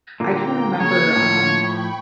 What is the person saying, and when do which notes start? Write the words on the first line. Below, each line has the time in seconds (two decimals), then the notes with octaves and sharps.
I can remember, um,
0.20 A#2 D3 A#3 G5 A#5
0.81 C#3 A#3 C#5
1.16 A2 F3
1.57 G5 B5 C#6